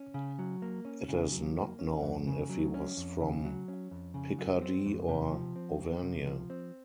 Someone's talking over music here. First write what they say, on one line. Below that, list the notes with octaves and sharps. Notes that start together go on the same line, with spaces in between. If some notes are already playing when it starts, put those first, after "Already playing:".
It is not known if he was from Picardie or Auvergne.
Already playing: C#4
C#3
F#3
A#3
C#4
C#3
F#3
A#3
C#4
F2
C#3
F#3
C#4
F2
C#3
F#3
C#4
F2
C#3
F#3
C4
F2
C3
F3
C4
F2
C3
F3
C4